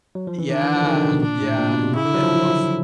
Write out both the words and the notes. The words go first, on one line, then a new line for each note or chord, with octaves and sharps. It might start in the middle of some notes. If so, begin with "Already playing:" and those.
Yeah, yeah, it feels
F#3
F3
E3
D#3 D4
E3
F3
D3
D#3
D3
C#3
B2
A#2 D4
A2
A#2
B2
C3
C#3 E4
D3
F#3
F3